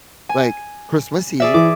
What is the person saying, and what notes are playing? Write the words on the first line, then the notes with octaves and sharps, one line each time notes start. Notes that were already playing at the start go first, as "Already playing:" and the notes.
like, Christmas Eve,
G#5
G#4 D5 E5
E3 D6